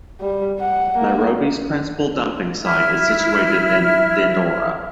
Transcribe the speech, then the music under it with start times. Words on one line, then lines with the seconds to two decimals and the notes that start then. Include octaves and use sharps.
Nairobi's principal dumping site is situated in Dandora.
0.21 G3
0.60 F#5
0.97 A#3
2.63 E4 E5 F6